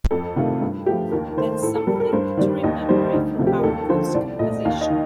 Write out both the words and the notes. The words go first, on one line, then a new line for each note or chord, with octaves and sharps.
That’s something to remember for our woods composition.
F2 A4
C3 D#3 A3 F4
G2
F3 A3 G4
D#2 A#4
D#3 A3 C5
A2 A4
A4
G3 A#4
A#4
G2 C5
D#3 G3 D5
D#2 D#5
D#3 G3 C5
D2 D#4
C3 F3 A3
G4
A#4
D#2 A4
D3 F3 C5
C2 D5
A#2 A3 D#5
D#2 F5
D#5
D#3